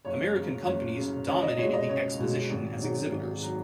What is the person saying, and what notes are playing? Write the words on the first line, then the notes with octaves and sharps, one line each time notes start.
American companies dominated the exposition as exhibitors.
F#1 C#5
F#2 C#3
F#1 C#5
F#2 C#3
C#2 C#5
D#5
B2 G#3 C#5
D#5
C#2 C#5
B2 G#3
G#1
G#2 F#3
G#1
F#3